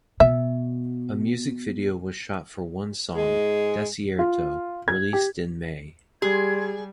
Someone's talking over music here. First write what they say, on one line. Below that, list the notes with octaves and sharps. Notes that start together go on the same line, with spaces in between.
A music video was shot for one song, "Desierto", released in May.
B2 E5
G#2 G#3
F4
G#6
G4
G3 G4 G#4 C6 G#6